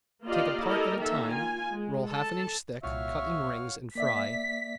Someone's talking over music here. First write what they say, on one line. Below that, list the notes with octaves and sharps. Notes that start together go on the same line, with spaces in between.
Take a part at a time, roll half an inch thick, cut in rings and fry.
A#3 F4 G4 D5 D#5 F5
E4 G4 A4 A#4 D#5
D#3 A#3 A4 E5
F4 G#5
G#3
A4 A5
C2 A#2 F#4 C#5 E5 F5
A#3 D5 E5 B6